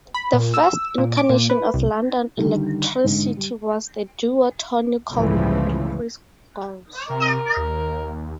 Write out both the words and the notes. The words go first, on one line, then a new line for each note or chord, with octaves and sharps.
The first incarnation of London Elektricity was the duo Tony Colman and Chris Goss.
B5
A#2
E6
A#2
D6
A#2
B4
C2
D3 D#3 G3
G#2 D3
G3
G1 C#2 A2 C#3 E3 F3
C3 A#4
D#2